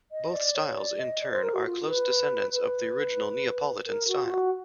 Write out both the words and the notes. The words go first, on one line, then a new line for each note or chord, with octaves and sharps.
Both styles in turn are close descendants of the original Neapolitan style.
D#5
D5
C#5
D5
D#5
D5
C5
A#4
F#4
F4
B4
B4
A#4
F#4
F4
F#4